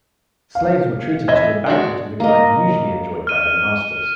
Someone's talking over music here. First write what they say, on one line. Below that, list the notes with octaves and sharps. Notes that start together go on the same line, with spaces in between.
Slaves were treated to a banquet of the kind usually enjoyed by their masters.
F5
E3 D#5 E5 G#6
G#3 D4 F#4
A#3 D#5
F6 D#7